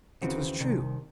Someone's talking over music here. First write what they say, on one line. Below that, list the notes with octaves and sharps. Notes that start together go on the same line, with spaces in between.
It was true.
D#2 C#3 E3 C4 F#4
C2 C3 D#3